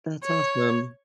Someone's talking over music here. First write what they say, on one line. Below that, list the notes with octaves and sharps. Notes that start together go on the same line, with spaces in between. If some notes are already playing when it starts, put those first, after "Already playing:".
That's awesome.
C#5